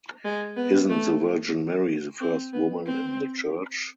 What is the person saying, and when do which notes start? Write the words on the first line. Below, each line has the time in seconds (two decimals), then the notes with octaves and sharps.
Isn’t the Virgin Mary the first woman in the Church?
0.24 G#3
0.57 B3
0.90 A3
2.21 C4
2.53 B3
2.85 C4